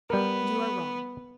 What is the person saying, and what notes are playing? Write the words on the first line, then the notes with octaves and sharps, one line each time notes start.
"And you are wrong."
G3 B3 A#4